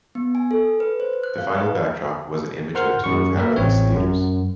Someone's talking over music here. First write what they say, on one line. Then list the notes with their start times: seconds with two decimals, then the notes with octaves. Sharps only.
The final backdrop was an image of two of Haverly's theaters.
0.15 B3
0.35 G#5
0.51 A4
0.80 B4
1.00 C5
1.24 F#6
1.38 F5
1.55 B4
2.75 A#4 C5 F#5 C6 F6
3.04 F#2 C#6
3.36 A#3 A#4 B4 E5
3.56 A1 C4 C#5
3.93 F#2